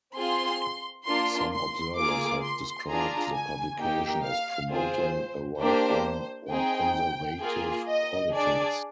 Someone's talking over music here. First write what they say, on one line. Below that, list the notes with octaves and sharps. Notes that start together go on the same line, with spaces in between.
Some observers have described the publication as promoting a right-wing, or conservative, politics.
C4 F4 G#4 C6
A#3 D4 F4 C6
C6
A#3 F4 G#4 D6
C6
D4 F4 G#4 A#5
G#5
A#3 D#4 G4 G5
F5
C4 F4 G#4 C5
A#3 D4 G4 C5
C4 D#4 G#4 G5
A#3 F4 G#4
D#5
D4 G#4 D5